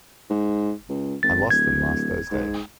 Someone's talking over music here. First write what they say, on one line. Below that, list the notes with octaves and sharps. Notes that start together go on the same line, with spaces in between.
I lost them last Thursday.
G#2
C#2
G#1 A6
D1 G#6
G#2